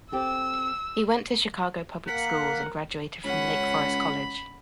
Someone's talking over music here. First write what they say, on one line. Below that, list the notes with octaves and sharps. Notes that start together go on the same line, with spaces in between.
He went to the Chicago public schools and graduated from Lake Forest College.
C4 G4 A4 E6
A#3 A#4 F#5 B6
C#2 C#4 F#5 B5